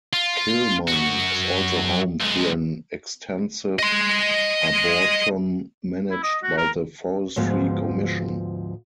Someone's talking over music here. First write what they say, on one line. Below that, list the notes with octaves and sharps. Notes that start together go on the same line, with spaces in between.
Kilmun is also home to an extensive arboretum managed by the Forestry Commission.
F4
F#2 F#4
B1 G#3
D#5 C6
E4
D#5
F#4
A#4
D2 G#2 F3 B3